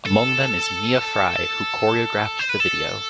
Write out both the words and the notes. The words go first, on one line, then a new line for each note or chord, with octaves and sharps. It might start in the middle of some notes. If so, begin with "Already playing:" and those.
Among them is Mia Frye, who choreographed the video.
A4
C5
B4
A4